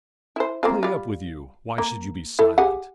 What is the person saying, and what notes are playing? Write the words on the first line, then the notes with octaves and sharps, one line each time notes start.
'Play up with you, why should you be silent?
E4 C5
A#3 C4 F4
G3 F4
A#3
E4 A4
G4 G#4 F#5